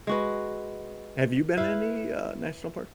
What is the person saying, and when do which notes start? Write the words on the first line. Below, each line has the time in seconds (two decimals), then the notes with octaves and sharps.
Have you been to any, uh, national parks?
0.07 G#3 F#4 B4
1.57 E4 B4 F5